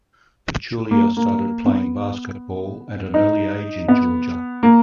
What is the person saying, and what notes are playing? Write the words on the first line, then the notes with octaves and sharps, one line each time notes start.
Pachulia started playing basketball at an early age in Georgia.
A#3
A#3
B3
D#4
B3
A#3